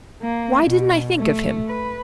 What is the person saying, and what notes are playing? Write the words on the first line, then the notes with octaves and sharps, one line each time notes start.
Why didn't I think of him?
A#3
B2
A3
B4